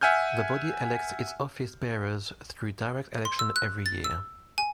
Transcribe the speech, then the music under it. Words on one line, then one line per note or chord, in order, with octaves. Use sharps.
The body elects its office bearers through direct election every year.
E5 F#5 G#5 F6 G6
C6
E6
F#6
A6
E6
G#5